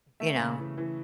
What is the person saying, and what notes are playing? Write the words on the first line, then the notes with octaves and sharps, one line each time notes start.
You know,
A3 E5
C#3
E3
E3